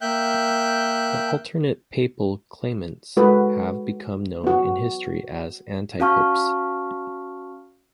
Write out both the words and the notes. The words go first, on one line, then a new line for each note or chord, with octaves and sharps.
The alternate papal claimants have become known in history as antipopes.
A#3 E5 G5 F#6 G6
G#3 F#4 A4 B4
B3 F#4
C#4 F#4 F5 A5 C#6 F6